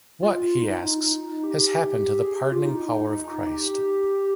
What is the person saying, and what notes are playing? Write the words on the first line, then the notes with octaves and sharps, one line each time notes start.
What, he asks, has happened to the pardoning power of Christ?
F4
D#4
G4
G#4
G4
F4
D#4
G4